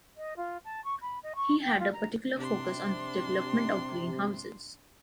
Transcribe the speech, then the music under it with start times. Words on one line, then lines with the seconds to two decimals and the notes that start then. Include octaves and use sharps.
He had a particular focus on the development of greenhouses.
0.17 D#5
0.37 F4
0.65 A5
0.84 C#6
1.01 B5
1.23 D#5
1.36 C#6
1.62 G5
1.80 F4
1.92 A#5
2.36 C3 D4 C6